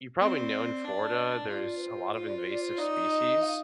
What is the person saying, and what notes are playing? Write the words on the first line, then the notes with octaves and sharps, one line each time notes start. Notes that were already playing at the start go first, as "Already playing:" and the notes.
you probably know in Florida, there's a lot of invasive species,
C4 D5
D4
F4 D5
B4
C5
F4 C5
D5
C5
D5
C5
D#4 D5
D#5
F5